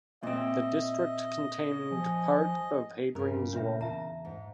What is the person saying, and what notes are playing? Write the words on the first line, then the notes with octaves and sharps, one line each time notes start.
The district contained part of Hadrian's Wall.
A#2 C4 D#5 E5
F3 G#5
G2 C#3 A#4
A#2 D4 B4 E5
E2 E5 A5 A#5
G#2